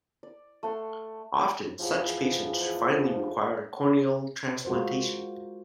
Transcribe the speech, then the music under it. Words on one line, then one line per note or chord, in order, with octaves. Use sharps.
Often, such patients finally require corneal transplantation.
D5
A3 F#5 C6
E2 G#2 F3
G#3 F4 F#4 A#4 C5